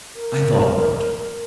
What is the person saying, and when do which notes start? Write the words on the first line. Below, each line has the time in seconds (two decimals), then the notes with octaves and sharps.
I thought not.
0.15 A#4